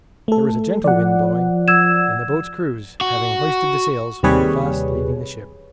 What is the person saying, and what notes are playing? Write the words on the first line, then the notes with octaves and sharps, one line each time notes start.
There was a gentle wind blowing, and the boats' crews, having hoisted the sails, were fast leaving the ship.
A3 A4
F3 D5 F#5
E6 G#6 E7
F#4
D#2 C3 G3 G#4 B4 C#5